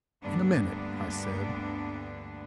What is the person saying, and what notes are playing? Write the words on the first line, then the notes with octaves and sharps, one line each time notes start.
"In a minute," I said.
D2 G2 D3 A#3 B3 D4